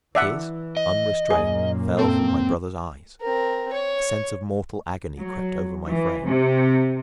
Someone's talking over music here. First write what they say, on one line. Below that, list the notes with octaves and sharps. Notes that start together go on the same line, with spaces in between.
Tears, unrestrained, fell from my brother's eyes; a sense of mortal agony crept over my frame.
E3 D5 E5 F#5
D#5
F#2 A#2 A#3 G#4
C4 A4
C4 A#4
C#5
F#3
E3
C3